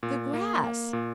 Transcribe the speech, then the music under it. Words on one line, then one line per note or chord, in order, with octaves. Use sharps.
"The grass."
A#2
A#3
A#3
A#2